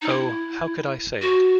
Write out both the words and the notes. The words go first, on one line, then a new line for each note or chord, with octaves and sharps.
Oh, how could I say it!
D#4
E4
F#4